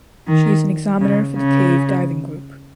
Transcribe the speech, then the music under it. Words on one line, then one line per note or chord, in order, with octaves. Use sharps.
She is an examiner for the Cave Diving Group.
D#3
C#3
C#3